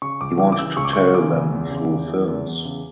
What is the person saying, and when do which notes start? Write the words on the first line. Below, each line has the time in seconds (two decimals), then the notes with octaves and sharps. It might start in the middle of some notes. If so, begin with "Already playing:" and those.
He wanted to tell them through films.
0.02 C#3 C#6
0.21 C#2 D6
0.39 E3 D6
0.52 D6
0.58 C#3 E6
0.77 C#2 C#6
0.85 D6
0.93 C#3 C#6
1.14 C#3 D6
1.33 C#2
1.52 E2
1.71 C#3
1.90 E2
2.08 E3
2.27 E2
2.47 E2
2.65 C#3